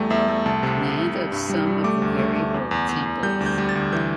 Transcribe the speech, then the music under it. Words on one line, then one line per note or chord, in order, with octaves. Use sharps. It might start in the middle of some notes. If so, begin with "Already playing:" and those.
Land of some of the very old temples.
Already playing: E2 G3 A3 G5
E2 E5
A3
C2 A5
C3
C2
C2
G3
G2
G3
G3
A3 D6
D2
A3
A3
E2
E2
E2
E2
G3 G6
D2
G6
G3
A6
D2
E3 G6